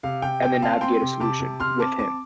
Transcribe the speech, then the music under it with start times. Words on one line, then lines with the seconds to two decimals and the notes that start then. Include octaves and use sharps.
and then navigate a solution with him,
0.03 C3 F5
0.22 C3 G5
0.42 C3 G5
0.62 C4 F5 A5
0.81 C4 G5 C6
1.02 C3
1.20 C3 A5 D6
1.40 C3
1.60 C3 C6 F6
1.79 C4 A5 D6
1.99 C4 A5 D6